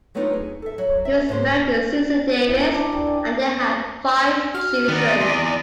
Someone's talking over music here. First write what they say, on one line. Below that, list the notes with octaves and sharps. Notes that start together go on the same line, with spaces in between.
He was married to Susan Davis, and they had five children.
F#3 A3 B3 D4 D#4 F4
G#4
A4 E5
F#3
E5
G#2 C#3 C5
E4
A#4
D4
G4
G#5
F#4 F6
D#3 B3 C4 D#4 D5 D#5
E2 C6